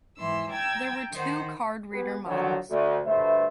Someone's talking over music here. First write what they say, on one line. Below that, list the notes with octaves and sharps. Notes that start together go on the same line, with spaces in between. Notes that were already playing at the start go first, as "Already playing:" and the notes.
There were two card reader models.
G#2 E3 C6 E6
G5 A#5 E6 G#6 A6
D#3 D#4 C5 F#5
B3 G4 G#4 B4
D3 D#3 F3 F#3
D2
D2 G2 A3 B4 C5 E5